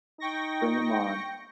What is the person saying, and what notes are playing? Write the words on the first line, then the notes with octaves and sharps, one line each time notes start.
Bring ’em on.
D#4 G5 C#6 A#6